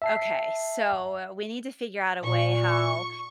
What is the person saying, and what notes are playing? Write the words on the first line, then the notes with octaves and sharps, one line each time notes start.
okay, so we need to figure out a way how
E5 A5 C7
A#2 C#6